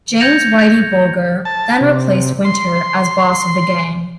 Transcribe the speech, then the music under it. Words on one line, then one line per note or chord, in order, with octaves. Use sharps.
James "Whitey" Bulger then replaced Winter as boss of the gang.
G6 G#6 A#6 C#7 F7
A5
C3
C6